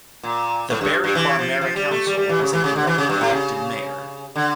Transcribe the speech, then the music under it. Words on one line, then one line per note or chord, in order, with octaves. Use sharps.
The Berri Barmera Council has a directly-elected mayor.
A#2
A2
G2
G2
E3
F3
F3
G3
A3
G3
G3
E3
C#3
E3
C#3
D3
E3
C#3
G2
A2
C#3
D3